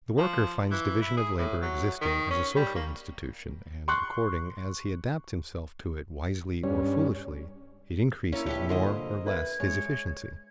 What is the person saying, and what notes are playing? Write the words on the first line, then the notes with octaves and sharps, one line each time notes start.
The worker finds division of labor existing as a social institution and, according as he adapts himself to it wisely or foolishly, it increases more or less his efficiency.
F3
E3
E4
G#4
A2
F#3
D#3
C#4
G3
A#3
C6 C#6 F#6
G2 C#4
A#3 C#4 E4 A#4
A#1 C#4 G4 B4
A#2 D3 A#4 C5 D#5
B4 E5 G#6
G#3 C#5